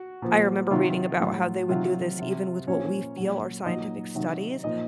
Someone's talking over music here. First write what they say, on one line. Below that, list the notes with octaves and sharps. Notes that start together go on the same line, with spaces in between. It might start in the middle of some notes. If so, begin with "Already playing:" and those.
I remember reading about how they would do this even with what we feel are scientific studies
Already playing: F#4
A#2 F3
C3 D#3 F#3 F4
A2 F#3
C3 D#3 F#3 F4
C3 F#3
A#2 F3 C#4 C#5
A#2 F#3
A#2 F#3 D#4 D#5
C3 D#3 F#3
A#2 F3 D#4 D#5